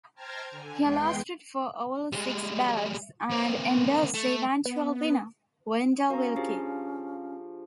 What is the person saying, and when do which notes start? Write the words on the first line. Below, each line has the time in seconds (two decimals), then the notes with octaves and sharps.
He lasted for all six ballots, and endorsed the eventual winner, Wendell Willkie.
0.15 C5 G5 A5 A#5 F6 G#6
0.51 D3 G#5
0.80 E2 G#3 B3 G5 C6
2.12 G3 G#3
3.31 A#3 C4
4.15 A3
4.65 B3
6.10 C#4 F#4 A#4 F5 A#5 C#6
6.36 F3 D4 G4 G#4